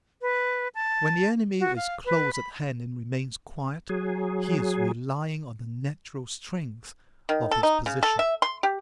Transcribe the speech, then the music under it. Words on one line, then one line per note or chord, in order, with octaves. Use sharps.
When the enemy is close at hand and remains quiet, he is relying on the natural strength of his position.
B4
A5
F#4
F5
B4
B5
F#3 G#4
D#3
A4
D#4
C#3
A4
E5
C6
G4